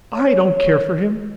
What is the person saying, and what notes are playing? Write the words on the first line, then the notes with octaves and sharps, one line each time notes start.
I don't care for him!
C#5